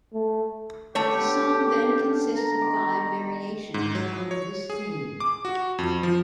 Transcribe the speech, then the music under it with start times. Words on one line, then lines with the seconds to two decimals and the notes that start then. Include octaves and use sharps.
The song then consists of five variations on this theme.
0.13 A3
0.95 A3 G4 C#5
1.13 D3 B3
1.85 F5 A5
2.37 A#5
2.61 D#3 D6
3.74 G#2
3.95 F#3
4.31 C#5
4.70 G#4
5.20 D6
5.45 F#4
5.78 F2
6.03 F3